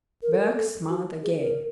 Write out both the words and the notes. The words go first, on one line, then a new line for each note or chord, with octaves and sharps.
Berg smiled again.
A#4
A4
A#4
A4
F#4
G#4
A#4